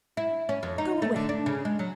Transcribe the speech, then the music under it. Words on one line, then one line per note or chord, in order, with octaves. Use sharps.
Go away!
E4
C#4
F2
D#4
A3
D3
D4
C#3
G#3
F#3